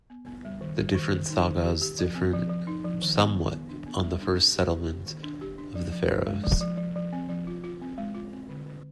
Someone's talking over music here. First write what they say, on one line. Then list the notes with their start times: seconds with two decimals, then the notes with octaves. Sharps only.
The different sagas differ somewhat on the first settlement of the Faroes.
0.10 B3
0.27 B3
0.45 G3
0.61 D#3
0.79 G3
0.95 D#3
1.13 D#3
1.30 D#4
1.48 D#3
1.64 G4
1.82 G4
1.99 F3
2.15 C4
2.33 F3
2.50 F3
2.67 D#4
2.85 F3
3.02 D#3
3.18 B3
3.36 D#3
3.52 B3
3.69 D4
3.87 B3
4.04 G3
4.21 D4
4.39 G4
4.55 G4
4.72 G4
4.89 G4
5.06 D#3
5.23 D4
5.41 G4
5.58 D4
5.75 F3
5.92 F3
6.09 D4
6.27 G#3
6.44 F3
6.61 F3
6.78 F3
6.96 F3
7.13 C4
7.29 F3
7.47 F4
7.64 F4
7.81 C4
7.98 G#3
8.15 F4
8.33 C4
8.49 D3
8.66 D3